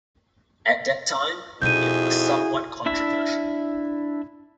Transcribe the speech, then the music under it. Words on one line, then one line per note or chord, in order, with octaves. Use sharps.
At the time, it was somewhat controversial.
F2 B2 D#4 E4 F#4 G#4 G6 D#7
D4 E4 E5